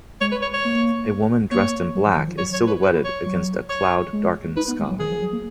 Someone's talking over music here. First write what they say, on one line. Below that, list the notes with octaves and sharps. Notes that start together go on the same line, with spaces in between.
A woman dressed in black is silhouetted against a cloud darkened sky.
G#3 C#5
B4
C#5
C#5
A#3
A#3 C#5
F#3
F3
D#3
F3
F#3 C#5
C#5
B4
B4
C#5
F#3
C#5
G#3
D#4 B4
B3
G#3
F#3
D#3 G#4
F3
F#3
A#3